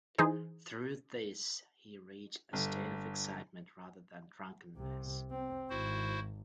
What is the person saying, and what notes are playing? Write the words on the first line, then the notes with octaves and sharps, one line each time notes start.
Through this he reached a state of excitement rather than drunkenness.
E3 D#4 G#4 C5
G1
C2 C3
C4
G#1 E4 F#4 C5